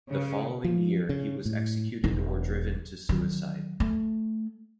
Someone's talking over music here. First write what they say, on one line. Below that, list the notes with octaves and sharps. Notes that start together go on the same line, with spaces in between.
The following year he was executed or driven to suicide.
C#3
F3
C#3
A2
E1 D#4
D#3 F#3
A3